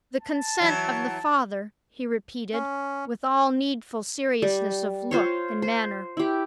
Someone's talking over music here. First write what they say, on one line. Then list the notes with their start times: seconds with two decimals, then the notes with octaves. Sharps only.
"The consent of the father," he repeated, with all needful seriousness of look and manner.
0.21 A5
0.60 E3 F#3 E4
2.53 C#4
4.42 G3
5.11 F4 C5 C#5
5.62 C5
6.17 E4 G4